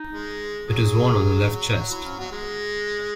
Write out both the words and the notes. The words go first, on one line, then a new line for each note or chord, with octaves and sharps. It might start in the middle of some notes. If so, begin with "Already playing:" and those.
It is worn on the left chest.
Already playing: D#4
G#3
F#3 G#4
F#4
E4
C#4
F#3 B3
G#3